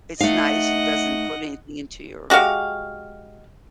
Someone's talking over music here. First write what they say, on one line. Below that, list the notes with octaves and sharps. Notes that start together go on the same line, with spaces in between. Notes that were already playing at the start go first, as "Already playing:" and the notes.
it's nice, it doesn't put anything into your
A3 D#4 D#5 F5 F#5
G#3 F#4 G4 F5